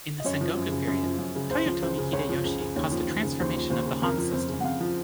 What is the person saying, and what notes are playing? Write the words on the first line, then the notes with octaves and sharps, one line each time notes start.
In the Sengoku period, Toyotomi Hideyoshi caused a transformation of the han system.
D#5
F#2 C#5
F3
F#2
C#3
F#2
F3
F#2
C#3
C#2 C5
F3
C#2 C5
C#3
C#2 C#5
F3
C#2
C#3
D#2 C#5
F3
D#2
C#3
D#2 C5
F3
D#2 C5
C#3
F2 A#4
F3
F2 C5
C#3
F#5
F2 F5
F3